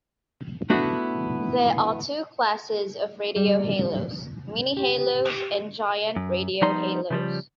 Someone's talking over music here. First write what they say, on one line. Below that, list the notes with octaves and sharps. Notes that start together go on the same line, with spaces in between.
There are two classes of radio halos: mini-halos and giant radio halos.
A3 B3 D4 E4 F#4
G3
G4
F#2
F3 G3 B3 D#4 A#5 C6
C#3 F3 G3